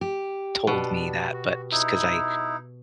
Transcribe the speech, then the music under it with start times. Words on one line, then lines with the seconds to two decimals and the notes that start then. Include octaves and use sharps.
told me that, but just 'cause I
0.01 G4
0.67 B2 D4
1.34 F#4
1.71 D#4 E4